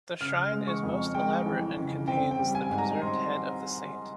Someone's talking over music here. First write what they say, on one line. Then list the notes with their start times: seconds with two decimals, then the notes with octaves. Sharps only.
The shrine is most elaborate and contains the preserved head of the saint.
0.21 C#3 F6
0.52 G#3
0.67 C#6
0.83 F2
1.14 G#3 G5
1.46 E3
1.77 C#3
2.08 C4 G5
2.31 G5
2.39 G3
2.55 G#5
2.70 G#2
2.78 A#5
3.01 C4 C6